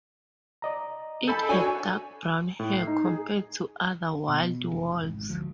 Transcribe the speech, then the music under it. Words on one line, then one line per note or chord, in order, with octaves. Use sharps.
It had dark brown hair compared to other wild wolves.
D5 D#5 A#5
A4 G#5 B5 G6
D4 F#4 C#5 G#5
A2
C7
D#4
G#4
B2
F1
G#1
D2 F3